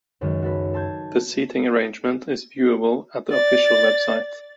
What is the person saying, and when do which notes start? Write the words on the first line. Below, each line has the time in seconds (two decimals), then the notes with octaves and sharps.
The seating arrangement is viewable at the official website.
0.21 C#2 F#2 D#3 G#3
0.42 F#4 A4 B4
0.73 A4 A5 C6 G6 G#6
3.30 D5 A6